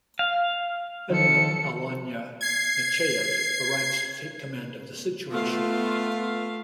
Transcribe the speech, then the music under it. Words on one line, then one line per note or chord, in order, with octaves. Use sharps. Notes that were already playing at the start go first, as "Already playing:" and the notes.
Admiral Alynna Nechayev arrives to take command of the situation.
F5
D#3 F3 D#4 A4 C#7
G#6 C7
A3 B3 F4 F5